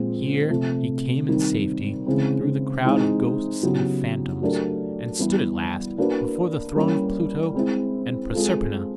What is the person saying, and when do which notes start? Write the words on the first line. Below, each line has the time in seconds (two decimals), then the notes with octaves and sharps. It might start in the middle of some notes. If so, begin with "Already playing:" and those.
Here he came in safety through the crowd of ghosts and phantoms, and stood at last before the throne of Pluto and Proserpina.
Already playing: A#2 F3 G#3 C4
0.50 C3 F3 A3
1.28 D#3 G3 C4
2.07 C#3 E3 G#3 C4
2.84 E3 G#3 C4 D#4
3.63 C#3 F#3 B3 E4 G4
4.42 F#3 A3 D4 G4 A#4
5.19 E3 G3 B3 E4
5.98 A#3 D4 F#4 B4
6.76 G3 A#3 C#4 E4
7.54 G#3 C4 E4
8.33 G#3 C4 F4 A4